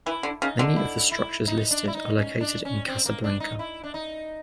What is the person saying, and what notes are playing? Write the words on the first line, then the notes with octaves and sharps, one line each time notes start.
Many of the structures listed are located in Casablanca.
E3 E4
D3
C#3 D#4
D3
E4
E4
D#4
D4
E4
D#4
C#4
D4
C#4
C4
A#3
D4
D#4
E4
D4
D#4